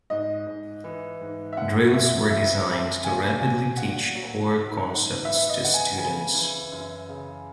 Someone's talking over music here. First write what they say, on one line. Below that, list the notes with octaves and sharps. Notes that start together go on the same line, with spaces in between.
Drills were designed to rapidly teach core concepts to students.
G#2 D#5
G#2
E3
G#2
E5
F#2 F#5
F#2 E5
C#3 E5
F#2 E5
A#2 G#5
F#3 G#5
A#2 F#5
F#3
G#2
G#2
E3 E5
D#5
E3 F#5
G#5
C#3 G#5
E3
F#2
C#3